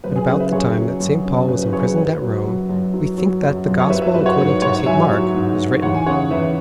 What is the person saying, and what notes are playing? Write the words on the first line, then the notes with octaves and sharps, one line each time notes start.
But about the time that St. Paul was imprisoned at Rome we think that the Gospel according to St. Mark was written.
F#2 B4
G#4
C#3 B4
B4 E5
F#2 G#4 C#5
F#3
F#2
C#3
F#2 B4
B4
F#3 G#4 C#5
B4
F#3 B4
F#3
F#2
F#2
F#3
F#3
F#2
F#2
C#5
F#3 B4 E5
B4 E5
F#3 B4 E5
C#5 F#5
G#2 B4
G#2 C#5 F#5
F#3 E5 G#5
F#3
G#2
G#2
E2 C#5 F#5
G#5
C#3 C#5 F#5
E2 B4 E5